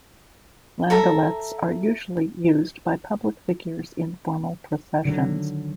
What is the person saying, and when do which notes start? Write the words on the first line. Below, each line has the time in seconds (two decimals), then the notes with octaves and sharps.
Landaulets are usually used by public figures in formal processions.
0.90 A4 E5 A#5
5.05 D3 D#3 F#3